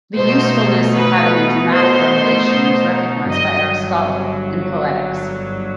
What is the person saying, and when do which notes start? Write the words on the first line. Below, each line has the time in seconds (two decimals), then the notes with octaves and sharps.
The usefulness of having a dramatic revelation was recognized by Aristotle, in "Poetics".
0.15 B2 A3 D#4 C5
0.94 B4
1.74 C5
3.30 G1 G2 F#3 D#5